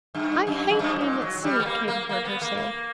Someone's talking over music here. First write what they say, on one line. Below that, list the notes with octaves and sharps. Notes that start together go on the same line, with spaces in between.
"I hate being at sea," Katy heard her say.
G2
F#2
F#2
G2
A#2
F#3
F#3
G3
B3
A#3
A#3
A#3
B3
A#3
A#3